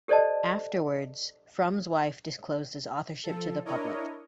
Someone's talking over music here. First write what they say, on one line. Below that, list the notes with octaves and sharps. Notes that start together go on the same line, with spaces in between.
Afterwards, Frum's wife disclosed his authorship to the public.
G4 A4 C5 D5 D#5 A5
F3 A4
D4 E4 A#4 C#5 D#5